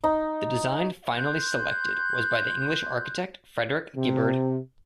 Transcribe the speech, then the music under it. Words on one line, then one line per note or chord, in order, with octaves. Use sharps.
The design finally selected was by the English architect Frederick Gibberd.
D#4
C6 F#6 G6
C3